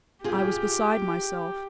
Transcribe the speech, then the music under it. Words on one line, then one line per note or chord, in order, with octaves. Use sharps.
I was beside myself.
F4 G4 G#4